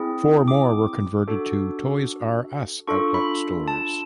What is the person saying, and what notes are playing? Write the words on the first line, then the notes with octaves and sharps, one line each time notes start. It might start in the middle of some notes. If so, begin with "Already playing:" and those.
Four more were converted to Toys "R" Us outlet stores.
Already playing: C4 E4 G#4
D6
D4 F#4 A4
D4 F4 A4 C#6
B5
A5